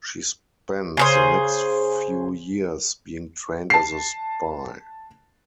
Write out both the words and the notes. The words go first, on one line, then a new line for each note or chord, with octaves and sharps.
She spent the next few years being trained as a spy.
C#3 G#4 C5
A5 C7